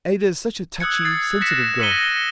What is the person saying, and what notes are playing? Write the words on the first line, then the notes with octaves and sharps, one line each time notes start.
Ada is such a touchy, sensitive girl.
D#6 E6 F#6 G#6 C#7
G#6 A6 C7
F#6 A#6 B6 C#7 E7
E6 B6 C#7 D#7 G7
A#6